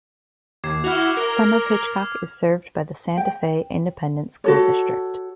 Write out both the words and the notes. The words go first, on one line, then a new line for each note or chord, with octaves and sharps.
Some of Hitchcock is served by the Santa Fe Independent School District.
D#2 D6 G#6 C7
E4 F#4 F6 F7
A#4
G5
F#4 A4 C#5